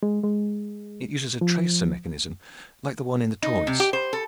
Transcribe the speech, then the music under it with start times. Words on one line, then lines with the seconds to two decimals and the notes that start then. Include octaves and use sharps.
It uses a tracer mechanism like the one in the Toys.
0.03 G#3
0.23 G#3
1.41 F3
3.43 D#4
3.67 C3
3.80 G4
3.93 C5
4.13 A4